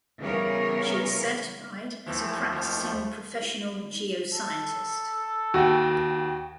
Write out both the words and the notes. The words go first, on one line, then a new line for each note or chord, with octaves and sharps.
She is certified as a Practicing Professional Geoscientist.
C#3 E3 G3 B3 A#4 C#5
D#2 E3 F3 A3
F2
A4
D#2 F#4 G5